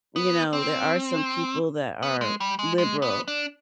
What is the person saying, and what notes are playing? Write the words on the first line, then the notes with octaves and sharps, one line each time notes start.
you know, there are some people that are liberal,
B3
C4
B3
G#3
G3
G#3
G#3
B3
D4